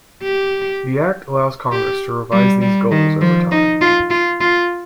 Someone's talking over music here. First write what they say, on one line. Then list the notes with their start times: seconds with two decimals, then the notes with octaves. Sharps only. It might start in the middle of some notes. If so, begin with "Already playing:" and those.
The Act allows Congress to revise these goals over time.
0.23 G4
1.72 G4
2.32 G3
2.61 G3
2.91 D#3
3.21 F3
3.51 D#4
3.81 F4
4.10 F4
4.41 F4